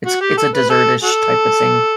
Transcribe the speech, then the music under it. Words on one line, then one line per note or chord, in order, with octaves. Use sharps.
It's it's a dessert-ish type of thing.
F#4
G4
A4
B4
A4
F#4 A4